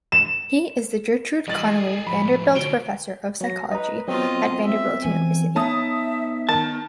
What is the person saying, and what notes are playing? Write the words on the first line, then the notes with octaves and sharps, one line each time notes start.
He is the Gertrude Conaway Vanderbilt Professor of Psychology at Vanderbilt University.
E7
E3 G3 D#5 A6 F#7
G#4 A4 G#5
A2 F3 F#3 B5
D3 F4 F#4 D7 G7
F#3 A#6
B4 D#5 A#5
F#3 B3 C4 F4 D#5
E5
E3 G#5
B3 D#4 C#5 E5 A5 D#6
D#3 A5